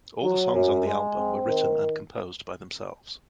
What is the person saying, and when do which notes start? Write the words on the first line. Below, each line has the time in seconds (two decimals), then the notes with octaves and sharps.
All the songs on the album were written and composed by themselves.
0.23 F#3
0.54 F#2
0.86 G#3
1.17 C4
1.48 D#3